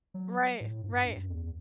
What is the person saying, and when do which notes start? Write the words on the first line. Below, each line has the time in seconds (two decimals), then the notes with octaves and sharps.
Right, right.
0.14 F#3
0.61 A2
0.84 G2
1.07 F#2
1.30 E2